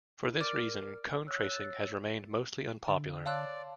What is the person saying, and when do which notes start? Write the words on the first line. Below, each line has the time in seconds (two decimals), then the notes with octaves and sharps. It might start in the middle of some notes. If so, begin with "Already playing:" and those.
For this reason, cone tracing has remained mostly unpopular.
0.22 E4
0.41 A#4 D5 F6
1.27 C#5 E6 F#6
1.49 E6 A6
2.88 D3
3.26 C#5 D5 F5 A5 C6 E6 F#6